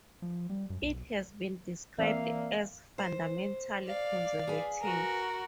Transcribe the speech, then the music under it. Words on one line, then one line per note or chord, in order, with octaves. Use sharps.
It has been described as "fundamentally conservative".
F3
G3
F#2
B1
E3 A#3 C4 D5 E5 F5
C5
D5 F5
G#4 B4 G#5
F#4 A#4